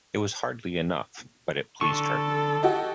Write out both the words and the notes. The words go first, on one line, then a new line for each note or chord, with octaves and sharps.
It was hardly enough; but it pleased her.
D3 A4 C#6
F#4 G4 D#5